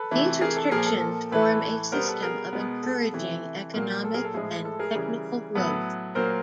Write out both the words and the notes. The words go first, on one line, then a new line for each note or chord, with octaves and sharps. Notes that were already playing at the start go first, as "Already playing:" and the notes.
These restrictions form a system of encouraging economic and technical growth.
Already playing: A4 B4
C3 E3 A3
G#4 A#4
A4
A#2 F3 A#3 G#4 A#4
A4
A2 E3 A3 A4 B4
B2 G3 B3 A#4 C5
A4 B4
G#4 A#4
B2 G#3 B3
A4
C3 E3 A3
A#2 F#3 A#3
A4
G#4 A#4
A4
A2 F3 G#3 G#4
A4
G#4 A#4
C#3 E3 G3
A2 F#3 B3 A4 B4
A#2 F#3 A#3 A#4 C5